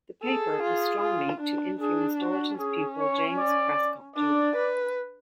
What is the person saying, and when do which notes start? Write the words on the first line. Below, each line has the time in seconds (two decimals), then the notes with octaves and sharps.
The paper was strongly to influence Dalton's pupil James Prescott Joule.
0.23 G#4 A4
0.63 F4
1.02 F4
1.41 D4
1.80 D4 G#4
2.20 F#4
2.59 C#4 G#4
2.98 C#5
3.38 D5
4.16 D4 D5
4.56 B4